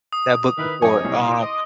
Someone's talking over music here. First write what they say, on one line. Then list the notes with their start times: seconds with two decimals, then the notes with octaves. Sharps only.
that book before, um
0.13 D#6
0.58 D#3 E4 A#4 B4
0.82 F#2 C3 D#4 C#5 G#5 D6
1.04 C2
1.28 A#2 C6 D6 D7
1.41 D#5